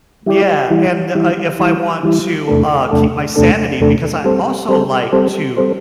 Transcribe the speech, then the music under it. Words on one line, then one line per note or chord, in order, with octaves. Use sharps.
Yeah, and, uh if I want to, uh, keep my sanity because I also like to
G3 E4 G4 D5
E3 G3 E4
E3 G3 E4
E3 G3 E4
E3 G3 E4
E2 C3 A3 D4 A4
E2 C3 A3 D4 A4
E2 C3 A3 D4 A4
E2 C3 A3 D4 A4
G3 C4 A4 C5
G3 C4 A4 C5
G3 C4 A4 C5
G3 C4 A4 C5